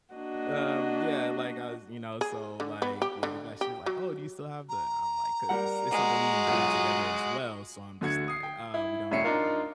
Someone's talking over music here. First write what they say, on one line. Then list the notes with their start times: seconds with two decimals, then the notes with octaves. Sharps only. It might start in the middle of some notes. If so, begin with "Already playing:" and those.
Um, yeah, like, I was you know, so, like, yeah get back, she's like, "Oh, do you still have the" I'm like 'cause it's something we enjoy together as well. So, I'm just like, "Uh, we don't I don't
0.13 A#3 D4 F#4 D#5
2.21 G#4
2.60 D3
2.82 B3
3.02 G4
3.23 D3
3.61 G4
3.86 F#3
4.69 A#5
5.49 G3 A#4 F#5
5.91 G#3 F#4
6.47 B1 F4
8.01 D2 D3 F#4 G#6 C#7
8.28 D#6 C7
8.43 G5
8.74 E4
9.11 E1 A2 C#4 E5 C7 C#7
9.24 D4 D#4 F4 A#4